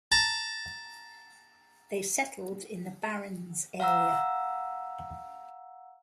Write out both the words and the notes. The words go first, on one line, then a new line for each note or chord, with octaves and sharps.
They settled in the Barrens area.
A5 A#5
F5 F#5 A#5 E6